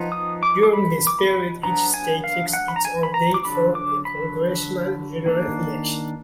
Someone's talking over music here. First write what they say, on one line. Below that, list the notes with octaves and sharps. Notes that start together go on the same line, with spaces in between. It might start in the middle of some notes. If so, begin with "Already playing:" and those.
During this period, each state fixed its own date for a congressional general election.
Already playing: F3 B3 D#4
D#6
D6
D6
B5
D6
B5
F#3 B3 D4 A#5
G#5
F5
F#5
B5
A#5
G#5
B5
A#5
D6
D3 F#3 D4 B5
D6
B5
D#3 A#3 D4